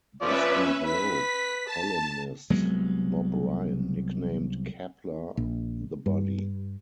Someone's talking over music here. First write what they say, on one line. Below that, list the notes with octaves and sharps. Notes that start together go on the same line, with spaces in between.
Boston Globe columnist Bob Ryan nicknamed Kapler The Body.
F3 C#4 B4 D5 E5
B4 B6
A5
C2 F#3 G#3 B3
A#1
G2